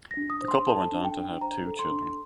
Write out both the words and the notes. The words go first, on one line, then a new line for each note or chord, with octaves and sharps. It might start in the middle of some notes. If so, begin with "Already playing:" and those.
The couple went on to have two children.
A#6
D4
D#6
C5
C6
A4 A5
D4
G5
D4
C5 A#5
A4
C6
D4